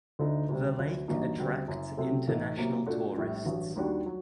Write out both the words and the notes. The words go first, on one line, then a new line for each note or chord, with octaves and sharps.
The lake attracts international tourists.
D2 D3 A3 D#4
D2 C3 G3
D2 D3 F#3
A1 G2 F#3 A#3 D#4
D2 D3 G3 C4 F#4
F#1 F#2 F#3
C2 C3 F#3 A3 C4
A1 A2 A3 D#4 A4
C2 C3 F#3 A#3
A#2 A3 D4 F#4
A#1 A2 G3
A1 G2 F#3
D#2 D#3 G3 D4 F#4
F#3